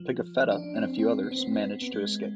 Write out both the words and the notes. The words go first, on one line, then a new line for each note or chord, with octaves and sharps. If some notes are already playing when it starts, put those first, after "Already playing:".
Pigafetta and a few others managed to escape.
Already playing: F3
D4
C4
C4
B3
C4
B3
C4
B3
B3
G#3